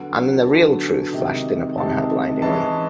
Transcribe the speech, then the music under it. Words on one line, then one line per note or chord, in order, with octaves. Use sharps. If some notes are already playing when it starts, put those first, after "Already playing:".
And then the real truth flashed in upon her blindingly.
Already playing: D3 F#3 B3 F#5
A5
D3 F#3 B3 G#5
C3 D#3 G#3
C3 D#3 G#3 A5
E3 G#3 C#4 A5